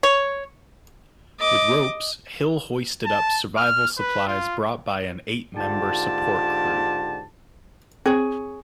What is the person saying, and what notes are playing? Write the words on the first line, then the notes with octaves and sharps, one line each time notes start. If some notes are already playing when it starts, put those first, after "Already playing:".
With ropes, Hill hoisted up survival supplies brought by an eight-member support crew.
C#5
D#5 D6
A5
F6
B4
F4
G#2 D3 F4 G4 A5
C4 G#4 C#5